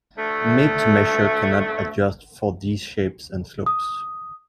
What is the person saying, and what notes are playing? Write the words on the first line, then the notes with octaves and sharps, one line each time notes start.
Made-to-measure cannot adjust for these shapes and slopes.
D2 A3
D#6